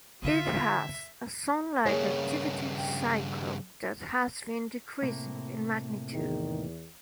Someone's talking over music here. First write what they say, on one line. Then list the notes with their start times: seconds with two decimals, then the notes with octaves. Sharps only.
It has a Sun-like activity cycle that has been decreasing in magnitude.
0.22 D3 E4 F4 E5
1.86 G2 C#3 A#3 G#4 C#5
2.77 G5
5.03 A2 C3 A#3
6.13 E2 D#3